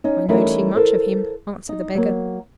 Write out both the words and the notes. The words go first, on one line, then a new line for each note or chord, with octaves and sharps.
"I know too much of him," answered the beggar.
C#4 D#4
E3 G3 A3 C#4 D#4 A#4
A4 A#4 C5
D#4
F#3 A#3